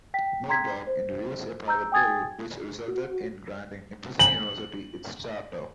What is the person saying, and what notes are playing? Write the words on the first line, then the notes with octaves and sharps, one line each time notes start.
Murdock introduced a Private Bill which resulted in granting Nipissing University its charter.
G5 B6
G5 A#5 C6 G#6 B6
C5
A#5 E6 G6
G5 G#5 D#6 G#6 A6
F#4
F#7